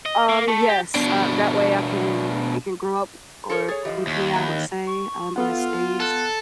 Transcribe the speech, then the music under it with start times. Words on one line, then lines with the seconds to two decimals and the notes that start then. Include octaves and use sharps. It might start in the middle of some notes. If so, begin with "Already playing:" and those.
Um, yes, uh, that way I can it can grow up or, with me, I would say, um, in a staged
0.06 D#5
0.29 A#3
0.48 A3
0.69 G4
0.95 B2 D4
3.49 A4 A#4 C#5
3.68 G#4 C#5 A6
3.85 E3 F3 G4 D#5
4.07 D#2
4.34 E3 B3 G4 A#5
4.47 A#3 D#4
4.87 C#6
5.36 B3 F4 A4 F#5
6.00 A4 F#6